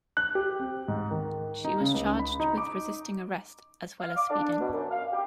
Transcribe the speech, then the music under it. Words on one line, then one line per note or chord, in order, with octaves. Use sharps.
She was charged with resisting arrest as well as speeding.
F#6
G4
C4
G#2
D#3
D#4
C#3
C#2
B5
D#4
D6
F5
D6
D4
B2
F#2
F5
G4